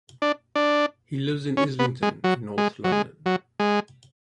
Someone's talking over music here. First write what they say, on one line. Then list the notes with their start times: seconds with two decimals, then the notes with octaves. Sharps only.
He lives in Islington in north London.
0.22 D4
0.55 D4
1.57 C#4
1.79 B3
2.03 G#3
2.24 F#3
2.58 G#3
2.84 F#3
2.92 G#3
3.26 F#3
3.60 G#3